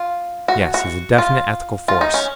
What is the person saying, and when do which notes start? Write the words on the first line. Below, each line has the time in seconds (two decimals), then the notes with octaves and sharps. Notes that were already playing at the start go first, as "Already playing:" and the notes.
"Yes; he's a definite ethical force."
Already playing: F4
0.48 F#4
0.74 F#4
1.18 F4
1.88 F4
2.01 D#4
2.14 C#4